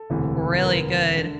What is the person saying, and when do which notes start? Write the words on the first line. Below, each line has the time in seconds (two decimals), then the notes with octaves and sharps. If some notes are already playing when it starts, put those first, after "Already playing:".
really good.
Already playing: A4
0.10 E1 D2 C3 E3
0.57 B4
0.63 A#4
1.17 D3